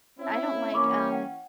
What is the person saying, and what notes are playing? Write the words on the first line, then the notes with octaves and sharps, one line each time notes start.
I don't like, um,
C4 C#4 E4
E3 A#3 C#4 B5 C#6 D6
F#5 G5